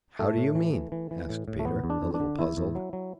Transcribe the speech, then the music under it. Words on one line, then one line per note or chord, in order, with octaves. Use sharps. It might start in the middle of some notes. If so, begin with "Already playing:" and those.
"How do you mean?" asked Peter, a little puzzled.
A2 A3
A2
E3
E3
E3
E3
A2
A2
A3
E2 B3
E2
D4
E2
D4
D3
E2 E4
E2
F#3
F#3